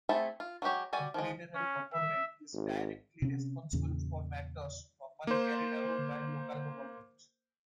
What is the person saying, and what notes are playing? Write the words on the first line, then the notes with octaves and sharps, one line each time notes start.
The territorial government is directly responsible for matters normally carried out by local government.
A3 C4 E4 G#4 A4
F4
F#3 G#3 F#4 G4 C#5
G3 F#4 D5 G#5
F3 G#3
C#4
E5
G#1
C3 C#4
E2 A#2 C#3
A#3 C5